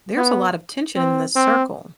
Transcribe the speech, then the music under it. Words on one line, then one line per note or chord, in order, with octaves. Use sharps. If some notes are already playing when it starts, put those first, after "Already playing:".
There's a lot of tension in this circle.
B3
C4
C4